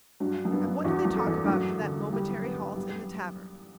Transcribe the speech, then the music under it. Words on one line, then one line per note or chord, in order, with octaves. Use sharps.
And what do they talk about in that momentary halt in the tavern?
G2 F#3
F#2
G2 B3
F#2
E2 F#4
F#2
A4
E2
G2
F#2 F#4
D3
G3
B3
G3